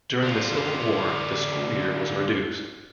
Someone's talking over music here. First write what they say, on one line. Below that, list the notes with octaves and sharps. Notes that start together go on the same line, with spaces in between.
During the Civil War, the school year was reduced.
D3 F4